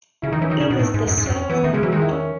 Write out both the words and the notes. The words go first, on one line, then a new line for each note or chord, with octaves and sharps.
It is the swagger stick.
C#3 E4
D#3 D#4
E3 C#4
D#3 D#4
C#3
B2
A2
G#2
F#2
G#2
F#2
C#4
E3 B3
D#3 A3
C#3 G#3
E3 F#3
D#3 G#3
E4
C#4